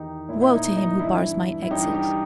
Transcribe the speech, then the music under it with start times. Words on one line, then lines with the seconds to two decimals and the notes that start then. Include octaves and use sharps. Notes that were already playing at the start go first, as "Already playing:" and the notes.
Woe to him who bars my exit!
Already playing: E2 D#3 D#4 G4
0.28 A#2 E4
0.42 E4
0.53 D#4
0.76 D#4
0.99 G2 E3 E4
1.62 E4
1.70 G2 E3 D#4 G4
1.93 D#4 G4